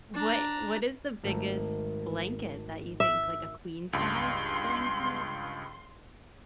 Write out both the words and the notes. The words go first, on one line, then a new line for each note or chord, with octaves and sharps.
what what is the biggest blanket that you think, like, a queen-size blanket?
D4 A#5
G#1 A3
E5
C#2 G2 C6